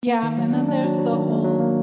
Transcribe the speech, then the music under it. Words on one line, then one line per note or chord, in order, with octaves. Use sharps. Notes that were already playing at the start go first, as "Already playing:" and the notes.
Yeah, and then there's the whole
A#3
D#3
F#3
D4
D4
F#3
F#3
D#3
A#3
F#3
A#3